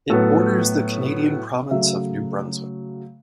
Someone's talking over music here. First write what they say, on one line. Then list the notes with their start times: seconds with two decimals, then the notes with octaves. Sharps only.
It borders the Canadian province of New Brunswick.
0.10 A2 F#3 B3 A4
1.71 C#3 F#3 A3 E5